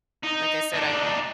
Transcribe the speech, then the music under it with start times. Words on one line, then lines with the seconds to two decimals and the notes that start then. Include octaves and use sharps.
like I said, I'm
0.23 D#4
0.74 D4 D#4